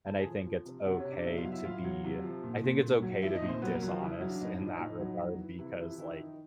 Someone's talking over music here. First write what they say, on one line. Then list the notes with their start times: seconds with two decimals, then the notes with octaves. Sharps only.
and I think it's okay to be I think it's okay to be dishonest in that regard because, like,
0.06 A2 A4 A5
0.19 G#4 G#5
0.26 F3
0.46 F3
0.65 C3
0.85 C3 F#4 F#5
0.98 C#4 C#5
1.05 C3
1.12 D4 D5
1.24 B2 E4 E5
1.37 F4 F5
1.44 F#3
1.51 E4 E5
1.64 A2 F4 F5
1.84 F#3
2.04 C3
2.24 F3
2.43 A#2
2.64 A#2
2.83 A#2
3.02 F#3
3.22 F3 E4 E5
3.35 D#4 D#5
3.41 A#2
3.48 C4 C5
3.62 F#3 B3 B4
3.74 A#3 A#4
3.82 F#3
3.88 F3 F4
4.01 C#3 E3 E4
4.20 F#3
4.29 D4
4.41 A2 D#4
4.55 D4
4.61 F3
4.67 D#4
4.80 A2 D#4
5.00 F#3
5.20 E3
5.39 E3
5.59 C3 E3 E4
5.79 E3 F3 E4
5.98 D#3 E3 E4
6.18 D#3 D#4